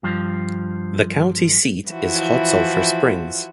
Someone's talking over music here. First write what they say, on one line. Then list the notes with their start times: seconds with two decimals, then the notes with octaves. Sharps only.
The county seat is Hot Sulphur Springs.
0.03 G2 F3
1.89 E3 F3 E4 F#4